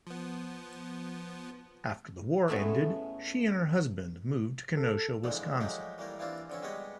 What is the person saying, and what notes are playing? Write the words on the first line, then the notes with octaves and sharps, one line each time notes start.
After the war ended, she and her husband moved to Kenosha, Wisconsin.
F3 B3
A2 G#3 A3 B3 C#4
A4
A#2 D3 E3 F3 G#3 A3
F3 F#3 G#3 A3 D#4 G4
E3 G3 A3 A#3 A#4
E3 A#3 C4 D4 F4
D3 F3 C4 C#4
G3 G#3 B3 G4 C#5 D#5